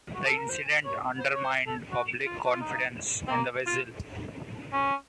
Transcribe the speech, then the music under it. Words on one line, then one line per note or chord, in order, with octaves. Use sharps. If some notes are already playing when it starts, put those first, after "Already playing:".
The incident undermined public confidence in the vessel.
F#4
A4
A#4
C5
C#5
C5
C#5
C5
A4
F#4
F4
F#4
F4
D#4
C4
A#3
F4
C#4